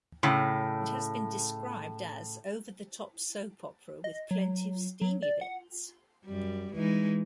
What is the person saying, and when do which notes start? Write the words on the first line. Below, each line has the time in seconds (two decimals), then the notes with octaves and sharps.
It has been described as "over-the-top soap opera with plenty of steamy bits".
0.23 A2 C#3
4.04 D#5
4.31 F#3
5.01 F#3
5.23 D5
5.41 F#5
6.26 F#2 G3
6.74 E3 G#3 D#4